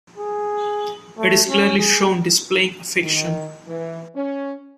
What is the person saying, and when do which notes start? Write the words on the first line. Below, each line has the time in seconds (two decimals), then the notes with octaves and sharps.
It is clearly shown displaying affection.
0.18 G#4
1.18 A3
1.49 C#4
1.79 G#4
3.02 D#3
3.67 E3
4.15 C#4